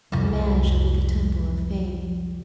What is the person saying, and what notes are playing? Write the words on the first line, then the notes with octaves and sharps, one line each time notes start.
A man shall be the Temple of Fame.
C2 F2